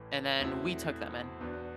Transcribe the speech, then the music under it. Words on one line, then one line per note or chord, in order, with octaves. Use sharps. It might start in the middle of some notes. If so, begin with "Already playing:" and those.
and then we took them in,
Already playing: A1 A2 E3 A3
E2 B2 A3 C4 E4
E2 B2 B3 D4